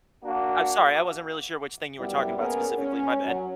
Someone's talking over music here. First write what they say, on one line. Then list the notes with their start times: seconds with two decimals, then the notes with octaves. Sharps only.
I'm sorry, I wasn't really sure which thing you were talking about specifically, my bad.
0.24 A#3 D4 F#4
1.98 F#2 G3 B3 E4
2.37 A#3 B3 C#4 G#4 A#4
2.78 C#4
3.22 F#3